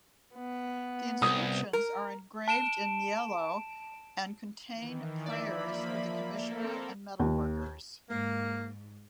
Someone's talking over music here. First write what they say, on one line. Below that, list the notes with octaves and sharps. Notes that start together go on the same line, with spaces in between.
The inscriptions are engraved in niello and contain prayers for the commissioner and metalworkers.
B3
C2 D#6
A#4
A5 D7 E7
D#3 E3
F3 A#3 D5 E5 B5
A#3 A4 A#4
C4
D#2
G#2 A#3